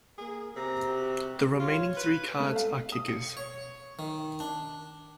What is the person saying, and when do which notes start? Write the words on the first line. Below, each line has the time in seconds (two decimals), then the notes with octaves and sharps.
The remaining three cards are kickers.
0.18 A#3 G#4
0.56 C3 A#5
0.87 F#4 G4
1.59 F4 C#5
1.97 B4
2.40 A3
2.56 F5
2.92 D#6
3.08 C#7
3.37 C#5
3.99 D#3
4.40 D4